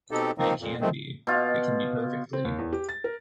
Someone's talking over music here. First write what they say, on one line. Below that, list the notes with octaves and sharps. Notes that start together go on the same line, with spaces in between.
It can be. It can be perfectly.
B2 C4 D#4 G4 A4
D#3 F3 A#3 C4 D#4
F2 A#2
D#3 F3 G#3 A3 C4
B2 F4
C4
D#2
E2
G4
A6
A#4